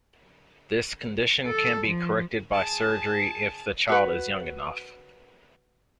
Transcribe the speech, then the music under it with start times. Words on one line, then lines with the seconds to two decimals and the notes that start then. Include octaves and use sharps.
This condition can be corrected by surgery if the child is young enough.
1.47 A4
1.88 F3
2.51 G#4 A5
3.89 F#4 B4